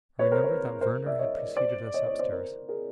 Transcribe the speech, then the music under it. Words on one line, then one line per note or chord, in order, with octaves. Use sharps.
I remembered that Werner had preceded us upstairs.
B4 C#5
A#4 C5
B4 C#5
A#4 C5
D5 E5
C#5 D#5
C5 D5
C#5 D#5
C#5 D#5
C5 D5
A#4 C5
G#4 A#4